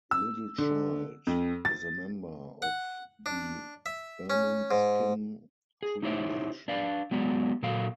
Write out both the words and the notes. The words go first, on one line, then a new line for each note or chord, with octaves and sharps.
Littlechild is a member of the Ermineskin Cree Nation.
E6
D3
F2
A6
F#5
D4
E5
C#4
G#2
G#4
D#4 E4 G4 C5 C#5 E5
D4 B4 D5 F5
F#3 G#3 B3 G4 D5 A#5
A#2 F#3 A4 F5